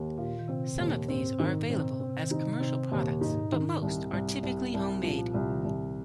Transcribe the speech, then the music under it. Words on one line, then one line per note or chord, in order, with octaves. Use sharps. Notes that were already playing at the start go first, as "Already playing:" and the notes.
Some of these are available as commercial products, but most are typically home-made.
Already playing: D#2
A#2 F4
D#3
C3 C4
D#2 A#2
G#2 C4
G#2 D#3
A#2
C4
C3
C4
C3
D#3
D#4
C3
C3 C4
D#2 A#2
G#2 D#4
D#3
C2
C2
C2
C2
A#2 F3
A#2
C2 C3
D#3
C2